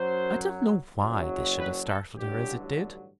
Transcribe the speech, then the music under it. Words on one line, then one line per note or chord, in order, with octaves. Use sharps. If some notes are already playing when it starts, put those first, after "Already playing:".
I don't know why this should have startled her as it did.
Already playing: F#2 F#3 C5
F#1 F#2 F#3
B4
A4
A1 G2 D3 F#3 G4